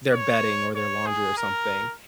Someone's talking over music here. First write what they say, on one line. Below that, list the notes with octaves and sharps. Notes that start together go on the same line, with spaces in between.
their bedding or their laundry or something,
C#5
C#5
G#4
A#4